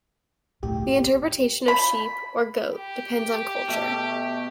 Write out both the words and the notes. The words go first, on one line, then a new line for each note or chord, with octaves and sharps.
The interpretation of sheep or goat depends on culture.
C#2 A2 G4
B5
G4
B2 A3